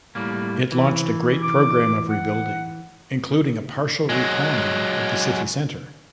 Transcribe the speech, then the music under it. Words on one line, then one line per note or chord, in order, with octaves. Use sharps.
It launched a great program of rebuilding, including a partial replanning of the city-center.
A2 G3 A#3
E3
D6
F#5
F#3 G#3